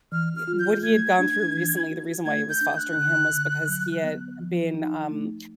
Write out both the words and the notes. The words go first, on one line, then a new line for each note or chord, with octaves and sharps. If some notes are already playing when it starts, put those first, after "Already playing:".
eh, what he had gone through recently, the reason why he was fostering him was because he had been, um
E3 F6
F6
F4
G6
A3 G#6
D4
E3
F#4
A3 G#6
G6
D4
G6
F#6
D3
D3
F#3
B3
F3
D#4
A3